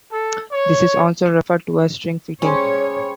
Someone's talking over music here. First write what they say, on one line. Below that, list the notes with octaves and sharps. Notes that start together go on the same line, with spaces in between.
This is also referred to as shrink-fitting.
A4
C#5
G3 C#4 G#4 C5 C#5